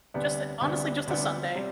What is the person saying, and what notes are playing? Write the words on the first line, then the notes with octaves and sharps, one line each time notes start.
just a honestly just a Sunday.
D2 C3 G3 B3 D4
D2 C3 G3 B3 D4
D2 C3 G3 B3 D4
C3 G3